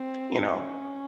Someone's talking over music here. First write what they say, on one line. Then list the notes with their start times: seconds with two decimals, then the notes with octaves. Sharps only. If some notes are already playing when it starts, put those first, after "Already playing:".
you know,
Already playing: C4
0.51 C#4